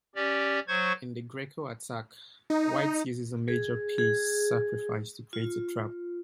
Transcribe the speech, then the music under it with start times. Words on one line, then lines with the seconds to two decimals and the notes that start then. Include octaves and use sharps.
In the Greco Attack White uses a major piece sacrifice to create a trap.
0.15 C#4 G4 D5
0.68 F#3 C5 C#6 G#6
2.50 D#4
3.48 G#4
3.98 G#4
5.33 F4